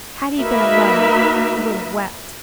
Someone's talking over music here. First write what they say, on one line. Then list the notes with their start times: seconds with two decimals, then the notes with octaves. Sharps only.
Had he been alone, he would have wept.
0.39 A#3 D#4 F#4 A#4 B4 E5